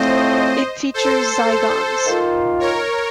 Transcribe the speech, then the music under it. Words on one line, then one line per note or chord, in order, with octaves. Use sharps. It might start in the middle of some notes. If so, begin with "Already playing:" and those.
It features Zygons.
Already playing: A2 F3 A3 C4 C5 D#5
A4 C5
D#3 A#3 F4
A#4 C#5